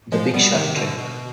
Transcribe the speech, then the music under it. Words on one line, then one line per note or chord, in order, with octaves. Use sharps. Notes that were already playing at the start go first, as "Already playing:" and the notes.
The Big Short Trip.
F3 G#3
G3 B3
C3 D#3
B2 D3
B2